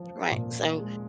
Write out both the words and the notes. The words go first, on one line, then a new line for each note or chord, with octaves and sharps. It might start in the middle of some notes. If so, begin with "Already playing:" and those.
Right, so,
Already playing: F3
A#2
G#3